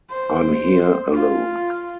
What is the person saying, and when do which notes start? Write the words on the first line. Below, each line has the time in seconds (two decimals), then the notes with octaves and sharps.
I’m here alone.
0.11 C5
1.12 F4